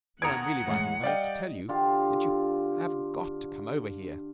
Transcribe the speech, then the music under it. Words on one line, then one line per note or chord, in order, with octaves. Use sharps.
What I am really writing about is to tell you that you have got to come over here.
D#2 F#5 A#5 D#6 G#6 C#7 D7
A2 E3 G#3
G3 D5 D#5 F5 G5
D3 F4 G4